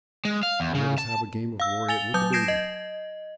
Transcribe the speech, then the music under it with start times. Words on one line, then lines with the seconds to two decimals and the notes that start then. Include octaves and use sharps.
Then let us have a game of loriot with the baby!
0.25 G#3
0.43 F5
0.60 E2
0.75 C#3
0.99 A5
1.60 F5 E6
1.89 G#5 A6 F7 G7
2.14 F#3 D#6 G6
2.33 G6 G#6 A#6 C7 D7 E7
2.48 D#5